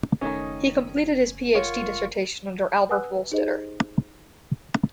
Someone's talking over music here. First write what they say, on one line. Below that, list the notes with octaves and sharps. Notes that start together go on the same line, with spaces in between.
He completed his PhD dissertation under Albert Wohlstetter.
F#1 D#3 A3 C#4 D#4
F4 A#4 C#5 F#5 C#6
B4 F#5 G#5 D#6 E6 F#6
D#4 G4 G#4 C5 D#5